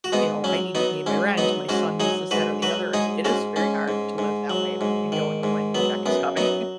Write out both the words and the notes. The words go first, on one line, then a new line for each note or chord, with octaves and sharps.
you know, I need to pay my rent. My son needs this, that, or the other," and it is very hard to live that way when you don't know when your check is coming.
F#4
G#2 B3 D#4
F#3 C#4
F#3 B3 D#4
G#2 C#4
F#3 B3 D#4
G#2 C#4 F#4
F#3 D#4 G#4
G#2 F#4 B4
F#3 F#4 B4
G#2 D#4 G#4
G#2 C#4 F#4
G#2 C#4
G#2
G#2
F#3
G#2
D#3
G#2
F#3 B3
F#2 B3
F#3 B3 D#4